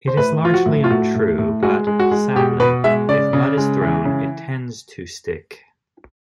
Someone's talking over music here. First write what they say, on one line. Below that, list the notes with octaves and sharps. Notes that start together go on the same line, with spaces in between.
It is largely untrue, but, sadly, if mud is thrown it tends to stick.
C5
A2 B4
F3 F4
F#4
A2
F4
A2 F#4
A2
A2
G#3 F#4
G#3
F#4
G#3
B2 G4
B2 B4
G#3 E5
C#3 D5
C#3
G#3
E3
C#3